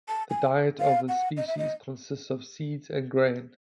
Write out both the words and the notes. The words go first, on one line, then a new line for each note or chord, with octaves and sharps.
The diet of this species consists of seeds and grain.
A5
G#5
F5
F#5
D#5
E5
D#5